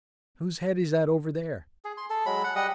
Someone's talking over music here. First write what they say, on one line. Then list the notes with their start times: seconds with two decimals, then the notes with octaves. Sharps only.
"Whose head is that over there?"
1.85 G#4
1.97 C6
2.10 A4
2.26 F#3 G#3 B5
2.44 F#5
2.56 G3 D#5 F#5